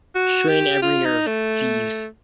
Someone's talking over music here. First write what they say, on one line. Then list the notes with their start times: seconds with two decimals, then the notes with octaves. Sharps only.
Strain every nerve, Jeeves.
0.15 F#4
0.48 G4
0.82 F4
1.05 D#4
1.27 A3